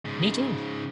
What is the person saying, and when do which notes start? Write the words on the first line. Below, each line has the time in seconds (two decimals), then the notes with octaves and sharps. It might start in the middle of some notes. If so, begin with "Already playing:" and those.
Me too!
0.05 G#2 C#3